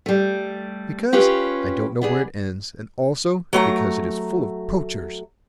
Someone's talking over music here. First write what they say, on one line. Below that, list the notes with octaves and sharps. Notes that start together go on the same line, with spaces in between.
"Because I don't know where it ends; and, also, because it is full of poachers."
G3 A3
C#4 F4 G4 B4 C#5
B3 D4 G#4
F#3 A3 A#5